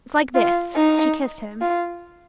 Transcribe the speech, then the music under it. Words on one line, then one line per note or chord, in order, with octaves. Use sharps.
"It's like this." She kissed him.
F4
D#4
F4